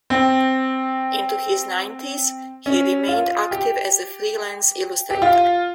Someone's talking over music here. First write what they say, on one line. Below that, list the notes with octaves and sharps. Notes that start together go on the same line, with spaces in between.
Into his nineties, he remained active as a freelance illustrator.
C4
C#4
F4
G4
G4
F4